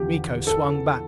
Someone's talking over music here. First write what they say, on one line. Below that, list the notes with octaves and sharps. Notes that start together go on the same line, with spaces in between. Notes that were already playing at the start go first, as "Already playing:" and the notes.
Miko swung back.
Already playing: E2 D3 F3 G4
A4